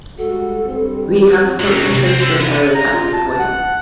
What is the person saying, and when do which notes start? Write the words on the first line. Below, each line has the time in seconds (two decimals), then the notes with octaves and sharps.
We have a concentration of errors at this point.
0.18 G3 G#3 F#4 A4
0.65 G2 C4
1.60 C2 F#3
1.90 C3
2.06 C4
2.19 D3
2.40 B3
2.75 A#5
2.93 F4
3.13 A5
3.39 F#5